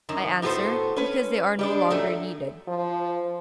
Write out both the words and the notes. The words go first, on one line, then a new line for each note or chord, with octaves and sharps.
I answer: Because they are no longer needed.
F#2 D#3
A2 B3 F#4 G#4 A4 C5
C#4 B4
G3 G#3 D4
F#2 A#2 F#3 A3
F3